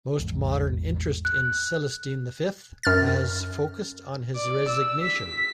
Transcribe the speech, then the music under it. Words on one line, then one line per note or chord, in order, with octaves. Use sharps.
Most modern interest in Celestine the Fifth has focused on his resignation.
A1 E2 G#2
F#6
F#2 F6 A6
D5
E6
B6